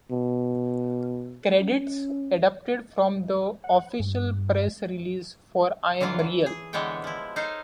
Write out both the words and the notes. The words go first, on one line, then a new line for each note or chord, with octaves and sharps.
Credits adapted from the official press release for "I Am Real".
B2
C#4
F#5
G2
D3 E3 F#3 F4 F5
E3
G#4
D3 E3 G#3 B3 C#5 G5
F3 E4
D#4 A4 C5 C#5 F5